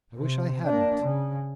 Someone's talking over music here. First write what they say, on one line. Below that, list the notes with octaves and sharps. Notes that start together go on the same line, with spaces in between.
I wish I hadn't.
C3
A#3 D4
C#3